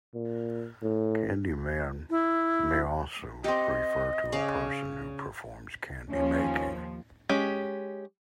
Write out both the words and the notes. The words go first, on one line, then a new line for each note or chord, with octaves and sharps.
Candyman may also refer to a person who performs candy making.
A#2
A2
E4
C4 G4 D#5
C#3 D5 F5
D#2 F3 C#4
G#3 C#4 G4